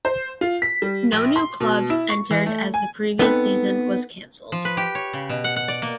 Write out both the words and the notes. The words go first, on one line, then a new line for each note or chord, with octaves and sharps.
No new clubs entered as the previous season was cancelled.
C5
F4
B6
G3
A#1
C6
B2
E4
C#6
E3
A3
G#5
B3 C4 D#4 A4 B4
F3
B4
G4
C#5
C#3
B2
F#5
F#5
D5
A#3